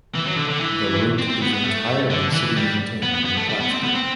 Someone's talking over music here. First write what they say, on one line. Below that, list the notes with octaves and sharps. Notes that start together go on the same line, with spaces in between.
The route is entirely city-maintained in Plattsburgh.
E3
F#3
D3
D3
E3
C4
C4
B3
B3
A3
D3
E3
G3
B3
B3
B3
A3
G3
B3
C4
B3
C4